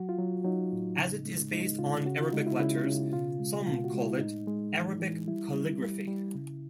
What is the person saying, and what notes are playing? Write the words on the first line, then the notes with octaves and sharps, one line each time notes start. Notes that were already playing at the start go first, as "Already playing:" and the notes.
As it is based on Arabic letters, some call it "Arabic calligraphy".
Already playing: F#3 F#4
F4
F#3
F#3 D#4
A2
C#3
G#3
G#3 D#4
C#3 F4
C#3 F#4
F4
G#3 D#4
E4
C#3 E4
C#3
B2 F4
G#3
B2 F4
F#4
G#3
E4
A2 D#4
G#3
E3
E3
G3 E4
G3
G3
G3
C#3